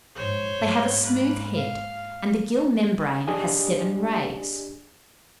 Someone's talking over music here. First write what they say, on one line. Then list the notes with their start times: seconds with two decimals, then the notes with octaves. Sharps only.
They have a smooth head, and the gill membrane has seven rays.
0.15 A#1 G#2 C5 C#5
0.55 G#2
0.99 A#3 B4
1.56 F5
3.27 D4 G4 G#4 D5 D#5 G#5